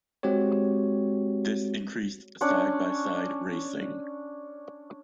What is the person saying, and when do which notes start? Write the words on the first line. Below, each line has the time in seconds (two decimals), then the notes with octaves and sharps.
This increased side-by-side racing.
0.23 G#3 C4 F#4 G4 C#5
2.41 C#4 D4 C#5